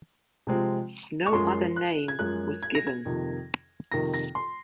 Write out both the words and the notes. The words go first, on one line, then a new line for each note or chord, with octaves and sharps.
No other name was given.
C3 F3 G#3 C4
C#6
F#2 F3 G#3 C6
F#6
G#6
F#2 F3 G#3 F#6
G#6
A#6
G#6
F2 C3 D#3 A#3
F2 C3 D#3 A#3 A#6
A#6
C6